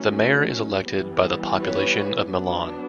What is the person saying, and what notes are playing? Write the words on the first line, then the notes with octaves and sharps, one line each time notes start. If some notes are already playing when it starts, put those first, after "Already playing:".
The Mayor is elected by the population of Milan.
Already playing: D#3 F#3 A3 C#4
E3 G3 B3
B4 C#5
F#3 B3 D4